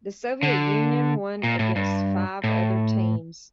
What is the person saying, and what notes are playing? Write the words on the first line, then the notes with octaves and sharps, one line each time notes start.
The Soviet Union won against five other teams.
D3
A#2
A2
G2
A2